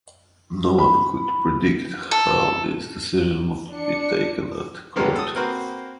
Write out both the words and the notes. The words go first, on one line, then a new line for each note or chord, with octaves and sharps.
No one could predict how this decision would be taken at court.
B5
A4
D4 C#7
D3 G3 G#3 A#3 B3 C#4
A4 D#6
A#3 C4 F#4 B4 C5